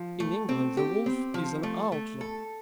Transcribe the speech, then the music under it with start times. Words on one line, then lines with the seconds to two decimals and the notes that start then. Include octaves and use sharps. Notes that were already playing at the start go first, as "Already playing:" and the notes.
In England the wolf is an outlaw.
Already playing: F3
0.20 A3
0.49 C4
0.77 G4
1.06 C4
1.34 F3
1.63 A3
1.92 A3
2.21 A4